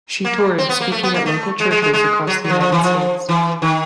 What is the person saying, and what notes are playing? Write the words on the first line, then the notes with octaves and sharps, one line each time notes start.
She toured speaking at local churches across the United States.
A#3
C4
B3
A#3
A3
B3
A#3
A3
G#3
G#3
G#3
G#3
F#3
F#3
F3
F3
E3
F3
E3
D#3